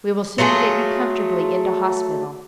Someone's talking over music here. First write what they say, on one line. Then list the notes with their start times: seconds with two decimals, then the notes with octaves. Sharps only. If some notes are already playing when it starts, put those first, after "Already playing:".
We will soon get you comfortably into hospital.
0.38 F#3 A3 F4 G#4